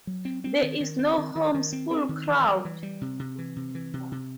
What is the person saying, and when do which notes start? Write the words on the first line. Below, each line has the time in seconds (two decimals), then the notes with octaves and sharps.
There is no home school crowd.
0.07 F#3
0.25 C4
0.44 C4
0.63 D#3
0.80 D#3
0.99 C4
1.18 D#3
1.35 D#3
1.54 D#3
1.73 C4
1.91 C4
2.09 D#3
2.27 E3
2.46 G3
2.65 E3
2.83 G3
3.01 C3
3.19 C3
3.38 E3
3.56 C3
3.75 E3
3.94 C3
4.12 C3